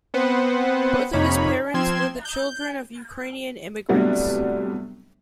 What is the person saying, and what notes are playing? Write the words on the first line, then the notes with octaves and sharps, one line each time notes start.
Both of his parents were the children of Ukrainian immigrants.
B3 C4 B4 C5 F#5
F2 C3 A#3 D#4 C#5 B5
F3 C4 C6 G#6 E7
G6
A2 C3 F#3 G3 B3 D4